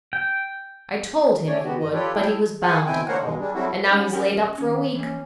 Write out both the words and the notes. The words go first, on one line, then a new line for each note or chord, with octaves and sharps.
I told him he would, but he was bound to go, and now he's laid up for a week.
G5
D3 A3 C#4 D4 C#5 D5
G#3 B3 F#4 G4
G2 D#5
F4 G4 A4 B4 C#5 D5
E4 G#4 A4 C#5 G5
G#4 F#5 G#5 A5
B2 C4 E4 G5 G#5
A3 A#3 A#4 C5 C#5 F#5
G2 B2 G#3
G3 G#3 D4
F#3 G3 A3 C4 E4 F#4
C#4 D#4 F#5
C#4 A#4 F#5 G5
D#3 C#4
E3 A#3 C#4